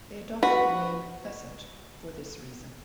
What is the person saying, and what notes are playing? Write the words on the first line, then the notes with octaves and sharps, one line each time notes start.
They adopted the name 'Theset' for this reason.
F#4 B4